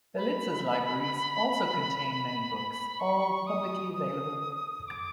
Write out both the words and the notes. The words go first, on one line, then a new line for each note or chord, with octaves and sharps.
Belitsa's libraries also contain many books, all publicly available.
B5
C#6
D#6
D#6
D6